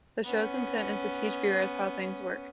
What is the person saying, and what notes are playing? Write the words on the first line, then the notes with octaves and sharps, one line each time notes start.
The show's intent is to teach viewers how things work.
B3 C#4